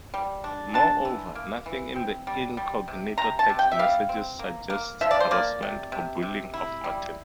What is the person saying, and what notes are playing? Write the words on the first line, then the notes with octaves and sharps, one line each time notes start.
Moreover, nothing in the Incognito text messages suggests harassment or bullying of Martin.
G3
D4
D4 A5
E3
A#3
E3
C4
G3
G3
C3
C3 A#5
A5
C3
G5
E5
G3 F5
C4
A#3
A#3
F3 E5
D5
C5
A#3 D5
C3
C3
C3
E4
G3